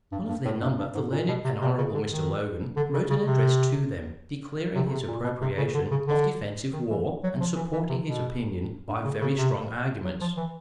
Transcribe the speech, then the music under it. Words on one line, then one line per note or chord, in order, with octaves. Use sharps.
One of their number, the learned and honorable Mr. Logan, wrote an address to them, declaring his approbation of defensive war, and supporting his opinion by very strong arguments.
G2
G2
A2
G2
G2
G#2
A#2
B2
C3
C3
C#3
D3
D#3
D3
C#3
C#3
C3
C3
C#3
C3
A#2
B2
C3
C#3
D3
C#3
D3
D#3
E3
F#3
F3
E3
E3
C3
B2
G2
C#3
C#3
C3
F#3
F3
E3